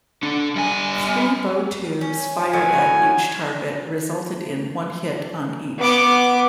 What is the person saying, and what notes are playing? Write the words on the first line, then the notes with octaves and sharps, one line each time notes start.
Three bow tubes fired at each target resulted in one hit on each.
D3 D4
G3 G#5
C#4
A2 D#3 F#3 G#5
B3 D6